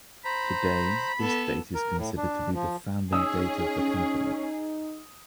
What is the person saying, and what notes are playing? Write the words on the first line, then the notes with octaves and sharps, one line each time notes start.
Today, this date is considered to be the founding date of the company.
C5 A#5 B5
B3 A4
A#4
A2
D4
F3
C#4 D#4 G#4 D#6 E6